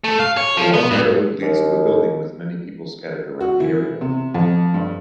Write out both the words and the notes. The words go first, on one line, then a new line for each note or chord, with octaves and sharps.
A long road leads to a building with many people scattered around the area.
A3
F5
C#5
F3
B3
G2
D#2
F#4
E3
C3
F2
G2